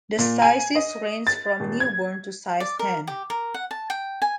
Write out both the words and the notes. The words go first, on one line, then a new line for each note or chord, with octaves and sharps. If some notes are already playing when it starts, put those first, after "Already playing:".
The sizes range from newborn to size ten.
A#2
G#5
D#5
A6
D#1
G#6
D5
A#4
G4
A#4
F#5
A5
G5
G#5